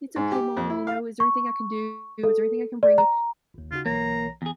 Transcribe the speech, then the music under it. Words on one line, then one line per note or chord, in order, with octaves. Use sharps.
"It's okay, mom, you know? Is there anything I can do? Is there anything I can bring you?"
G#2
G4
F2
E4
F5
C#6
A4
D5
A#5
G1 D#2
C#3 D#4 F4 F#4
B1 E3 A#3 C#5 A#5
E2 G#4